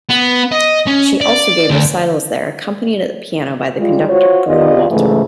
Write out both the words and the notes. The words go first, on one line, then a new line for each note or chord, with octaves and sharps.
She also gave recitals there accompanied at the piano by the conductor Bruno Walter.
B3
D#5
C#4
D5
D2
G3 G#3 F4
F4 F#4 C5 C#5
E2 B3 F4 G4 D5 D#5
G#2 C#3 E3 F3 A3